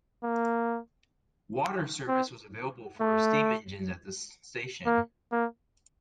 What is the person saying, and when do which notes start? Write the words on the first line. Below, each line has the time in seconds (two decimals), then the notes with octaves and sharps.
Water service was available for steam engines at this station.
0.23 A#3
2.08 C4
3.01 A3
4.86 A#3
5.32 A#3